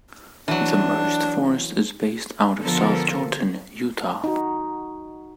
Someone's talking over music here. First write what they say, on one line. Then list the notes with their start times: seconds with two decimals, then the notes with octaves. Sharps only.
The merged forest is based out of South Jordan, Utah.
0.48 E3 F#3 D4
2.61 D3 F3 B3 F4 A4 A#4
4.24 D#4 F#4